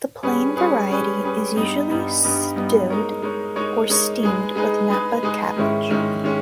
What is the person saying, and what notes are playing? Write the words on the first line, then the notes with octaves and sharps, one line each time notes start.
The plain variety is usually stewed or steamed with napa cabbage.
G3 C#4 G#4 B4
G3 C#4 G#4 B4
G3 C#4 G#4 B4
G3 C#4 G#4 B4
G2 G3 B3 D#4
G2 G3 B3 D#4
G2 G3 B3 D#4
G2 G3 B3 D#4
G#3 D#4 A#4 C#5
G#3 D#4 A#4 C#5
G#3 D#4 A#4 C#5
G#3 D#4 A#4 C#5
G#3 D#4 G#4 B4
G#3 D#4 G#4 B4
G#3 D#4 G#4 B4
G#3 D#4 G#4 B4
G#2 D#3 G#3 C#4 E4
G#2 D#3 G#3 C#4 E4
D#3 G#3 C#4